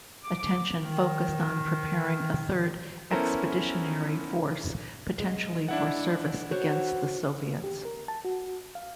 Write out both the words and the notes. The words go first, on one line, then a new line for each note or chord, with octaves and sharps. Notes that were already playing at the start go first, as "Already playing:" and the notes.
Attention focused on preparing a third Expeditionary Force potentially for service against the Soviets.
D6
D#3
B3 C#4 E4 A4 A#4 C5
G#3
D4 E4 F#5
F#4 C5 C#5
G4
A#4
A5
F#4
F5